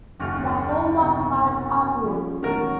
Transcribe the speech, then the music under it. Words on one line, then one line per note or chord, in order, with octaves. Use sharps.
The home was called Ardwold.
F#1 D#2 C#3 C#4 F#4 F6
F5 G5
E2 C3 D#3 F#4
F3 C#4
E1 A1 D#3 F#3 A#4 A5